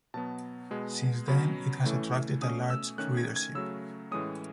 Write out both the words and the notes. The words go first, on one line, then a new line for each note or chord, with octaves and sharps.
Since then, it has attracted a large readership.
B2 F#3 B3 A5
B2 G#3 B3
B2 F#3 C#4 B5
A2 E3 A3 C#4
B2 A3 C#4 D#6
E6
D#3 A3 C#4 F#6
G#6
G#6
C#3 F#3 A3 E6
A2 E3 G#3 C#4 D#6